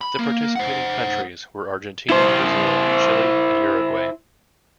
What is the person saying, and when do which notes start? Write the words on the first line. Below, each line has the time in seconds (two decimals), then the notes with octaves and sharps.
The participating countries were Argentina, Brazil, Chile and Uruguay.
0.01 B5
0.19 A#3
0.56 C5 F#5
2.09 E4 C5